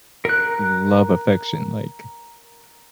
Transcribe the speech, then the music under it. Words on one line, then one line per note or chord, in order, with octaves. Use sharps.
love affection, like
A#4 F#6